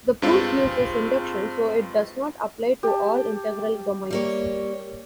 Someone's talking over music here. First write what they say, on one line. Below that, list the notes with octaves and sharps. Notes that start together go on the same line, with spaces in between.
The proof uses induction so it does not apply to all integral domains.
G2 G#3 C4 F4
G4 A5
G3 A#3 C#5